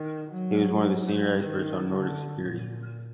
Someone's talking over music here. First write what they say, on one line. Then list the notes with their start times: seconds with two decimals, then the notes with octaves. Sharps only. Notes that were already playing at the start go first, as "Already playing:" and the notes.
He was one of the senior experts on Nordic security.
Already playing: D#3
0.31 F#3
1.37 D#3
1.90 D3
2.42 A#2